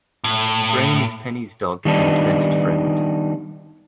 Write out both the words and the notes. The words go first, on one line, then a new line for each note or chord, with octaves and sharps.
Brain is Penny's dog and best friend.
A2
D#3 G3 B3 D4 D#4